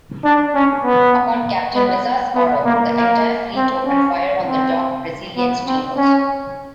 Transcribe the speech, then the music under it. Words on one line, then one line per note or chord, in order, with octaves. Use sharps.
Upon Captain Meza's order, the entire fleet opened fire on the docked Brazilian steamers.
D4
C#4
B3
B3
B3
A#3
A#3
C4
C#4
C4
B3
C4
C#4